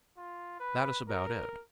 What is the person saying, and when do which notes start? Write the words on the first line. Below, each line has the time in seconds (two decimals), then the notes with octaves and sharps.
That is about it.
0.17 F4
0.60 B4
1.08 A#4